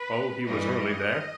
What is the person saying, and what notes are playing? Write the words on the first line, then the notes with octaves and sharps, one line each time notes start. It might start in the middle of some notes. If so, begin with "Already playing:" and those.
Oh, he was early there!
Already playing: B4
G2 E3 G3 D#5